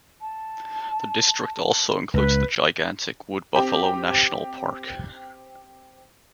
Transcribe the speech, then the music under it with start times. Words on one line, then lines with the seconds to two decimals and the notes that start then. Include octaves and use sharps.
The district also includes the gigantic Wood Buffalo National Park.
0.21 A5
2.14 C#2 B4
3.56 C4 G4